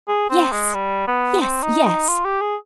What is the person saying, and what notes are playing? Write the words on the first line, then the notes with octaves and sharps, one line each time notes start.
Yes, yes, yes!
G#4
C4
G#3
G3
B3
C4
D#4
D#4
F4
G4
G#4